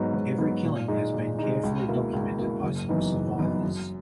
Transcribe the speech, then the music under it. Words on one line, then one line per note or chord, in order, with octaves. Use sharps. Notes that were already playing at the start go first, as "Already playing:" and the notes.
Every killing has been carefully documented by some survivors.
Already playing: G#2 F#3 B3 D#4
G#2
F#3 B3 D#4
A#2
G#3 D#4
A#2
G#3 D#4
C#2
B2 A#3 E4
C#2
B2 A#3 E4
F#1
F#2 E3 B3 D#4
F#1
F#2 E3 B3 D#4
F#2